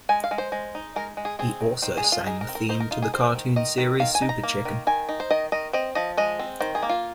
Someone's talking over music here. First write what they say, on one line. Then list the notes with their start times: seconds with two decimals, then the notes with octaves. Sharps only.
He also sang the theme to the cartoon series Super Chicken.
0.09 G#3 G#5
0.24 F5
0.31 G#3
0.38 C5
0.52 G#3
0.75 D#4
0.96 G#3 A#4
1.17 G#3
1.25 G#4
1.39 C4 G#4
1.61 D#3
1.82 D#3 C5
1.97 G#4
2.04 G#3
2.12 F4
2.26 D#4 G#4
2.41 A#4
2.49 C4
2.55 A#4
2.69 D#4 C5
2.80 A#4
2.91 D#4 F4
3.02 G#4
3.14 C4 C5
3.35 D#3
3.56 D#3 D#5
3.78 D#3
4.00 D#3 F5
4.15 G#5
4.22 D#4
4.29 A#5
4.43 A#3
4.65 D#3
4.87 D#3 G#5
5.09 D#4
5.20 C5
5.31 D#3 D#5
5.52 D#3 D#5
5.73 C4 D#5
5.95 F3 D#5
6.17 G#3 D#5
6.39 C4
6.60 D#3 C5
6.75 G#4
6.83 A#3
6.89 F4